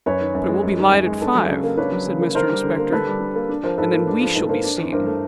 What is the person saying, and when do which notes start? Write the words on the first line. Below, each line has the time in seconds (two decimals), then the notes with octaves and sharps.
'But it will be light at five,' said Mr Inspector, 'and then WE shall be seen.'
0.06 F#2 B4 C#5
0.21 D#3
0.35 F#2
0.49 G#3
0.63 F#2
0.78 D#3
0.92 F#2
1.06 G#3
1.21 D4 A4 B4
1.35 F#3
1.49 C#3
1.64 A#3
1.78 D4 B4 C#5
1.92 F#3
2.07 C#3
2.21 A#3
2.35 D3 A#4 C5
2.49 G3
2.64 D3
2.78 A#3
2.92 D3 A4 B4
3.07 G3
3.20 D3
3.35 A#3
3.49 D4
3.63 F3 A#4 C5
3.78 G#2 A4 B4
3.93 A#3
4.07 D4
4.21 F3
4.35 G#2 A4 B4
4.49 A#3 A#4 C5
4.64 D4
4.78 E3
4.92 G2 A#4 C5
5.06 A3